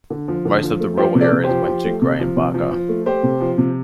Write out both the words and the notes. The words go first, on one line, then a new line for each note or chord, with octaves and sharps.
Most of the rural area went to Grey and Barker.
D3
F3
D3
F3
A3
F3 G4 C5
C3
A4 D5
C3
G4 C5
F3
F3
A3
C3
F3
C3
F3
F3
A3
A3 G4 C5
C3
F3
C3